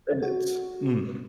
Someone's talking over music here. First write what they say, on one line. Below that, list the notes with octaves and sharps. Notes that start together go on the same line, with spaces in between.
And it's mm.
F#4